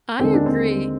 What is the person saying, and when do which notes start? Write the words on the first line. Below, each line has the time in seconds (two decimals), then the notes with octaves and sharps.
I agree.
0.20 D#2 D3 G#3 C4
0.34 D4
0.46 C4